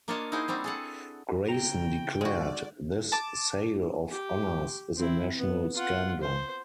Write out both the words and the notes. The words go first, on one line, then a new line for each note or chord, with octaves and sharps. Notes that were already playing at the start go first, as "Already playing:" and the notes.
Grayson declared: This sale of honours is a national scandal.
A#3 D4 F4 C#5 D#5 A5
D#4 E4 F#4 G#4 C5
G3 C4 D4 F#4
G#4 A4 F#5
C#3 G5 A#5
G#3 F#4 D5
A5 D6
G4
C4 E4
B3
F4 F#5
C5